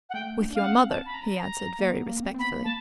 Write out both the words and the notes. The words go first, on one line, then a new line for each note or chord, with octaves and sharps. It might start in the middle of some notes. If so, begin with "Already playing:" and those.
"With your mother," he answered very respectfully.
F#5
A3 G5
D4
D4
C#4 F5
F#5
C4
A5
B5
A#5
A#5
A#3
B3
A#3
C4
C4
B3 B5
A#3
A5